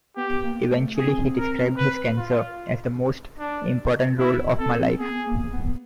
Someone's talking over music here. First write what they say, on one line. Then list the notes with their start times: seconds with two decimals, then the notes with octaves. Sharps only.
Eventually he described his cancer as "the most important role of my life".
0.16 B3 G4
0.43 A#3
0.70 A3
0.97 C4 G#4
1.38 A#4
1.78 B4
2.17 F4
3.39 D4
4.18 B3 E4
4.39 B3
4.59 C4 A4
4.79 C4
4.99 B3 G#4
5.26 A#3
5.53 B3